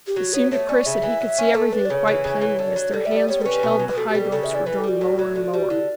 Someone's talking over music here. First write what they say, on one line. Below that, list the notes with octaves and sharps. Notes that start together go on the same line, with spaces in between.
It seemed to Chris that he could see everything quite plainly as their hands which held the hide-ropes were drawn lower and lower.
G4
F#3 F#4
B3 C#5
A3 C#5
C#4 D5
C#3 E5
E3
F#3
C#4
A3 A4
D4 B4
D5
C#3 C#5
E3
C#3
E3
D3
F#3
G3 A4
E5
B3
D5
G3 C#5
A4
C#4 B4
B2
F#3
B4
B2 A4
G4
G3
A4
C#3 A4
E5
E3
D5
E3 B4
G3 A4
F#4
A2
F#3
D3
G3
D3 E4